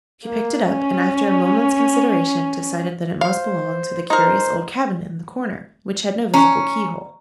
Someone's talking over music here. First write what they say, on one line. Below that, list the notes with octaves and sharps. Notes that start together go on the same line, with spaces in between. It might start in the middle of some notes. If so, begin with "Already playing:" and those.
She picked it up, and after a moment's consideration decided that it must belong to the curious old cabinet in the corner, which had no visible keyhole.
A#3
C#4
C5 F5
D#4 A#4 C5
C#4 A#5 C#6